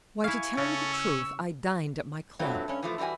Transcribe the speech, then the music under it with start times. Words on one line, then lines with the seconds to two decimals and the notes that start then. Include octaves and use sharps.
'Why, to tell you the truth, I dined at my club.
0.24 E4 F5 G#5 C#6
0.57 C#3 C#4 A4
0.93 E6
2.39 G2 A#2 F#3 A3 C4
2.68 G2 C#4
2.83 E3 F3 A3
2.98 E3 G3 E4 F#4 G#5